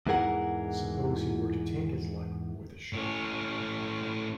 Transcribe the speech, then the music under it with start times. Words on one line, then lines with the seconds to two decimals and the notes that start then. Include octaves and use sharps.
Suppose he were to take his luck with a shot?
0.07 E2 G#2 E3 G#4 A#4 F#5
2.93 A2 C#4